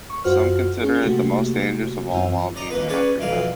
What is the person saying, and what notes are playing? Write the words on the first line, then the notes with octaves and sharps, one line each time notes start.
Some consider it the most dangerous of all wild game in Africa.
C#6
F#2 F4 F#4 C5 F6
C#4 G#4
C3 A3 A#3 F#4 G4
F#2 E3 C4 F4
D5 D#5 A#5
D#2 A#3 B4
C#4 G#4 B4 C#5 D5
B1 F2 A#2 E3 F5